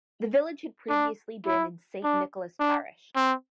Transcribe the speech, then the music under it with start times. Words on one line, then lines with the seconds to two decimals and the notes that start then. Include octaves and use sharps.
The village had previously been in Saint Nicholas Parish.
0.89 D4
1.47 E4
2.04 D4
2.59 D4
3.16 C4